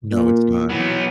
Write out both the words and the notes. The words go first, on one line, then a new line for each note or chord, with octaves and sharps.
No, it's not.
A#2
E3 F#3 B3